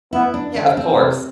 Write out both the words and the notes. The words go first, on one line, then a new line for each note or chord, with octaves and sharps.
Yeah, of course.
B3 E4
D4
D3 D4
C4
C3